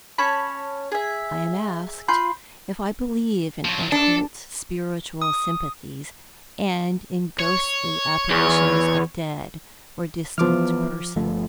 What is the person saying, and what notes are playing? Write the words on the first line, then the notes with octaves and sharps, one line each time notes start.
I am asked if I believe in occult spiritual sympathies, and in ghostly apparitions of dead or distant persons.
C#4 C#5 A5 B5
G#4 E5
F4 B5 C6 G6
F3 F#3
D4 A4
D#6
C#5
E2
E3 F3 B3 D6 F6
G1 F3 A3